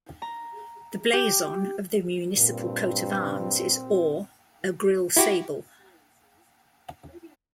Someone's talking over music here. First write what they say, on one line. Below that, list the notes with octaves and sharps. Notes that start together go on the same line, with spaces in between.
The blazon of the municipal coat of arms is Or, a Grill Sable.
A#5
G4
G2 A#2 C4
E4 F#4 G4